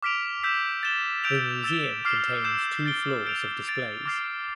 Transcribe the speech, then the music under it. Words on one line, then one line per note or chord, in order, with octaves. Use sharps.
The museum contains two floors of displays.
D6 F6 B6 D7 F7
E6 G6 B6 E7
A6 E7 G7
E6 G6 D7 F7
E6 A6 E7 G7
D6 F6 C7
E6 G6 C7 E7
A6 D7 G7
G6 D7 F7
A6 D7 F7
D6 F6 A6 C7